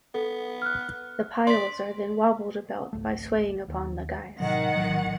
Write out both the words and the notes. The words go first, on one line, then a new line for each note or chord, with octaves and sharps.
The piles are then wobbled about, by swaying upon the guys.
B3 A4
F6 F#6
D5 C6 B6
G#1 C#2 A3
D#2
A2 C3 D#3 F#3 F#5
A#1 A2 F#3